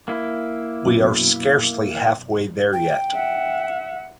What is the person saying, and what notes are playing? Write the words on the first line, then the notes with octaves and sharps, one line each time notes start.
We are scarcely halfway there yet.
A#3 E4
F#2 B2
G5
E5 F#5